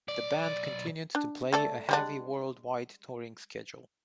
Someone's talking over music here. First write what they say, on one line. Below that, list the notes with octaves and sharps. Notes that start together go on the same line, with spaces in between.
The band continued to play a heavy worldwide touring schedule.
B1 D5
D4
A3 A4 D5
G3 G#3 D4